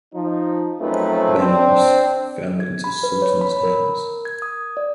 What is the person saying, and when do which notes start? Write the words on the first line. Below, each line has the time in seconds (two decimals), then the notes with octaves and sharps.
Benaras fell into Sultan’s hands.
0.14 F3 D#4
0.80 F#2 F3 A3 C4 D#4 B4
1.38 C4 D4
2.60 G#6
2.84 B5
3.03 B4
3.22 C#5
3.41 B5
3.63 A#4
4.25 G#6
4.42 D#6
4.77 D5